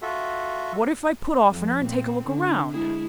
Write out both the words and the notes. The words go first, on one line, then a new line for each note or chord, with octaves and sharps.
'What if I put off in her and take a look round?
F4 F#4 A4 E5
F2
A#2 B3 C4
D3
G#3 E4 G#4